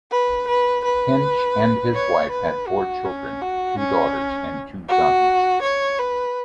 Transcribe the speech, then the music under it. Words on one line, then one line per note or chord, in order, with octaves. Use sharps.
Hench and his wife had four children, two daughters and two sons.
B4
B4
B4
C#5
B4
F#4
C#4
F#4
C#4
F#4
C#5
B4